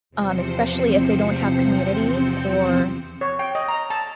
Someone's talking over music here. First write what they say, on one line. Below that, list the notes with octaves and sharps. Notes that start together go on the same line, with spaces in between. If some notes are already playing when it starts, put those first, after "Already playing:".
um, especially if they don't have community or
E2 C3 F3 C4 C5 C#7
C#5
G5
D#5
A#5
A5